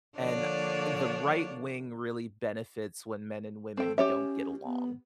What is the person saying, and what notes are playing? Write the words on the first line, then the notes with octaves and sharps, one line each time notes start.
and, uh, the right wing really benefits when men and women don't get along.
D3 F3 A#3 D4 C#5 D5
C4 A4 G5
C#4 G4 C#5 E5
B3